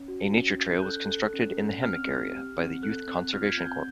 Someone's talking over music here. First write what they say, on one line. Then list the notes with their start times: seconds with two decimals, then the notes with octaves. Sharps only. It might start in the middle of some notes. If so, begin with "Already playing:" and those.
A nature trail was constructed in the hammock area by the Youth Conservation Corps.
Already playing: C#4
0.08 F#4
0.33 C#4
0.58 C#4
0.75 G6
0.83 A4 F#6
1.07 A4
1.34 C#4
1.57 C#4
1.83 C4 F6
2.08 C4
2.33 G4
2.58 C4
2.83 A4 F#6
3.08 C4
3.33 F4 F6
3.45 G#6
3.49 G6
3.58 C4
3.66 G6